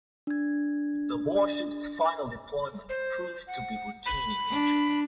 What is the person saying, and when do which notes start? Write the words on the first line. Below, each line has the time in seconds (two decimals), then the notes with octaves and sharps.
The warship's final deployment proved to be routine in nature.
0.27 D4 G#6
2.89 C5
3.47 F#5
4.06 B5
4.51 D4